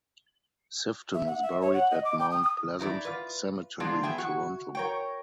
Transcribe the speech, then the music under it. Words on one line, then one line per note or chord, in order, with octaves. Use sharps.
Sifton is buried at Mount Pleasant Cemetery, Toronto.
E5
F#5
E5
C#5
F#5
D#5
D6
G5
D#6
D#6
D#4 E4 A#4 D5
F4 B4
G#3 C4 D4 F4 G4 G#4
B3 G#4 E5 G5
F#4
A#4 C#5 G5